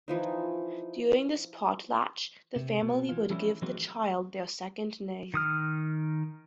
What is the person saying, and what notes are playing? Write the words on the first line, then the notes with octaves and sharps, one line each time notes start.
During this potlatch, the family would give the child their second name.
E3 F3 D#4
C3
B2
E3 F4
E3 F3 G3 A3 C#4 E4
E3 F#3 G#3 A#3 C4 F#4
D#3 D#6 F6